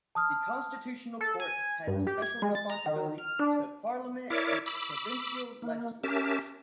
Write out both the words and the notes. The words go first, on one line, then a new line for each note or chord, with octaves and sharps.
The Constitutional Court has a special responsibility to parliament and provincial legislatures.
A5 D#6 F6
A4
G#5
G2
G4
G#6
G#3
A6
A#5
D#3
F6
D4
E4 A#4 C#5 D5 E5 D6
B5 D6 E6
A#3
C#4 G4 A#4 E5 A5